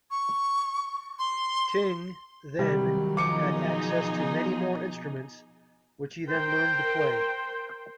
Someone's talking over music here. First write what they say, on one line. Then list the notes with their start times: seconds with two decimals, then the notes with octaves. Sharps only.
Tyng, then, had access to many more instruments, which he then learned to play.
0.11 C#6
1.19 C6
2.59 C3 D#3 F#3 G3
3.17 B2 F3 D#4 G#4 D6 C#7
6.29 A#4 C5 G5